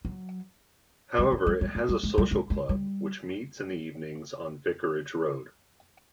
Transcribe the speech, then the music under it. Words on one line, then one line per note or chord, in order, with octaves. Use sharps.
However it has a social club, which meets in the evenings on Vicarage Road.
F#3
G3
F#3
G3
G3
G#3
G3
G#3
G3
G#3
G#3
G3